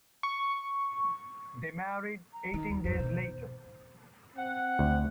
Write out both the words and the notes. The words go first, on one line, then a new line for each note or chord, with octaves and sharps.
They married eighteen days later.
C#6
A#5
D#3
D#2
E2 G2 C5
B2 D#3
C4 F#5
D2